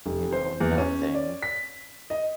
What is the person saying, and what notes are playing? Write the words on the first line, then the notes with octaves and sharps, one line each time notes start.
you know, nothing
F1
C5
E2
C#4
D5
B6
D#5